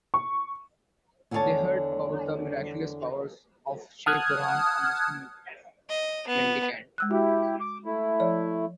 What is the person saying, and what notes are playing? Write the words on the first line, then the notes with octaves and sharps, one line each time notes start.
They heard about the miraculous powers of the Shaikh Burhan, a Muslim mendicant.
C#6
E2 D3 G#4 A4 C#5 A5
F#5 A5 D#6 F6 F#6 G#6
D#5
B3
G#3 E6 F#6
E4 F#4 G4
D6
A3 E4
F3 C#5 D5